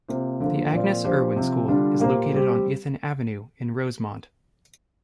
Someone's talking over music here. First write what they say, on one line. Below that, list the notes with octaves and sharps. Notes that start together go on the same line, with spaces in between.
The Agnes Irwin School is located on Ithan Avenue in Rosemont.
C3 A#3 F4 C5
D3 F3 A#3
A#2 F3 C4 F4 D5
F3 D4 G4 C5
C3 F3 C4
D3 G3 D4 F4
A#2 A#3 G4 C5
G3 C4 G4